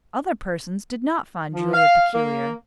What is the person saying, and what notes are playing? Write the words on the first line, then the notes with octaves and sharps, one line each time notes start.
Other persons did not find Julia peculiar.
F3
F5
A#3